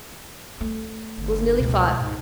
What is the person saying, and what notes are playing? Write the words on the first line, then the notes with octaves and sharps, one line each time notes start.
It was nearly five.
A3
G1
C#2 B2
G#2